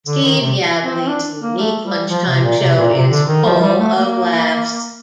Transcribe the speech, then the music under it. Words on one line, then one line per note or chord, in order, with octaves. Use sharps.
Steve Yabsley's unique lunchtime show is full of laughs.
D3
D#3
C3
C4
C4
D4
A#3
A3
G3
F3
C3
A#2
C3
A#2
C3
D3
D#3
F3
G3
A3
A#3